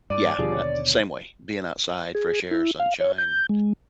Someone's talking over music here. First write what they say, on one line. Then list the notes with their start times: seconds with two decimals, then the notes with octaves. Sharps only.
yeah, uh, same way. Being outside, fresh air, sunshine,
0.10 G2 D5 D6 D#7
0.38 D#2 B2 D3 F3 G3 G#4
0.52 C#5
2.15 G#4
2.51 E4
2.79 F5
3.00 C#5
3.18 G6
3.49 G#3